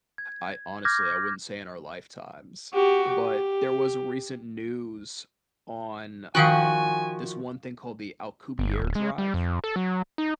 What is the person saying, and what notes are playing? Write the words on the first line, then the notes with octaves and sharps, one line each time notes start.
I, honestly I wouldn't say in our lifetimes, but there was recent news on, um, this one thing called the Alcubierre drive,
G#6
D6 F6 G6 G#6 A#6
F#4 G4
G4
D#3 F3 F#4 F5 G5 G#5 F#6
G1
D1
G#3
G3
F2
A4
F#3
D#4